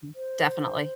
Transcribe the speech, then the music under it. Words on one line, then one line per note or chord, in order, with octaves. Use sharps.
M definitely.
C5